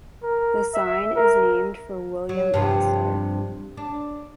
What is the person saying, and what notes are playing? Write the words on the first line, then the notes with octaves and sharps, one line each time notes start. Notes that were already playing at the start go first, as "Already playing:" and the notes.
The sign is named for William Osler.
A#4
E5
A#4
F#3
G2 C3 F3
D4